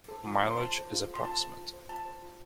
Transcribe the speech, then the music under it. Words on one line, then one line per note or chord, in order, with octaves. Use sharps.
Mileage is approximate.
A4 C5
F4
A4 C5
C6
F4 A5
A4 C5
F4
A4 C5
C6
F4 A5
A4 C5
F4
C5
F4 A5
C5
F4